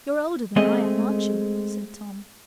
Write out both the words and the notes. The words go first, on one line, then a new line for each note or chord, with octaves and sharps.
"You're older than I am, aren't you?" said Tom.
G#3 A3 C4 G#4 D#5